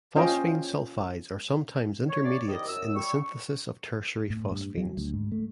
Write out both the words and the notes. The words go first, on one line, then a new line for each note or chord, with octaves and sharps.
Phosphine sulfides are sometimes intermediates in the synthesis of tertiary phosphines.
C#4 F4 C5 D#5 G5
C#5
C#3 D5
C2 D#3 D5 D#5 D#6
F#2 E6
G3 C#6
A2
G2
F#3
D2
G#2
A3